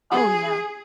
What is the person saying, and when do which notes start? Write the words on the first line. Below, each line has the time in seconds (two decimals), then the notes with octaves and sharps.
Oh, yeah.
0.11 G#4